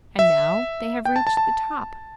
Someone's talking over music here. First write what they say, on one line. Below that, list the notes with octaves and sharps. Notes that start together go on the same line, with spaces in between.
And now they have reached the top.
E5
G5
A5
A5
A5